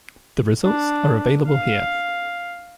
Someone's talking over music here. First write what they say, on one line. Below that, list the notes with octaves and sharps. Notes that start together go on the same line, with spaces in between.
The results are available here.
D4
F5